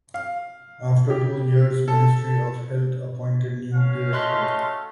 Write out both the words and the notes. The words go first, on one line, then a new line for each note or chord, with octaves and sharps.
After two years ministry of health appointed new director.
F5
G4
A4
C#4 F#4 F5
A3 D#5 C6 F#6 B6